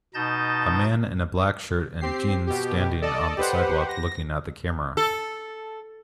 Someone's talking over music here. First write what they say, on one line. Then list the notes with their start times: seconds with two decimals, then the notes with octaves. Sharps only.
A man in a black shirt and jeans standing on the sidewalk looking at the camera.
0.14 B2 D#4 D#5 A5 G6 A6
2.01 C4 G4 C7
2.47 B2 G4
3.02 A4 D5 D#5 A5
3.37 G4 B4 C5 F#5
3.89 A#6
4.97 A4